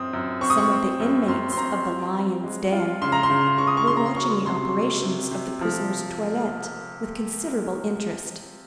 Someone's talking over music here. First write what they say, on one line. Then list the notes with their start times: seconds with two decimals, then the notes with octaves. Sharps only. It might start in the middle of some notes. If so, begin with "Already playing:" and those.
Some of the inmates of the "Lions' Den" were watching the operations of the prisoner's toilet with considerable interest.
Already playing: F#2 C4 D#6
0.13 F#2
0.41 C4 C#6
0.50 D#6
0.58 C#6
0.70 C4
1.00 F#2
1.28 F#2 C6
1.52 C6
1.57 C4 A#5
1.86 F4
2.14 C4
2.44 G#3
2.72 F4
3.02 C#3 C6
3.12 A#5
3.23 C6
3.30 C#3
3.58 C#3 C#6
3.67 D#6
3.77 C#6
3.87 C#3 C6
3.97 A#5
4.06 C6
4.16 F#3 C#6
4.45 C3 C6
4.74 F#3
5.02 C3
5.31 C3
5.61 F3